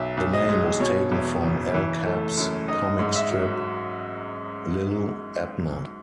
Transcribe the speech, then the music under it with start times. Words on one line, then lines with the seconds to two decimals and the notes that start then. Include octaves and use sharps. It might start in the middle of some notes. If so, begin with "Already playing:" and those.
The name was taken from Al Capp's comic strip Li'l Abner.
Already playing: B1 E5
0.17 B1
0.33 D#5
0.49 G#3
0.80 B2 C#5
1.12 E2
1.43 F#1
1.74 E3
2.06 A3
2.37 F#2
2.68 D#4 D#5
2.99 G#2
3.16 E5
3.31 F#3